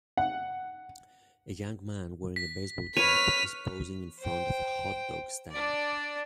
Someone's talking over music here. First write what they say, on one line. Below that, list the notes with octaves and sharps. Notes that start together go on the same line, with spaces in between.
A young man wearing a baseball cap is posing in front of a hotdog stand.
F#5
B6
B4 C#5 F6 B6 D#7 F7
C5 G5
D4 D5